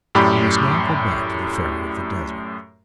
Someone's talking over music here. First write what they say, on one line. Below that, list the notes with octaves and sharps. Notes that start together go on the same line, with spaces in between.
We must now go back to the Fairy of the Desert.
F#2 A2 G4 D5 B5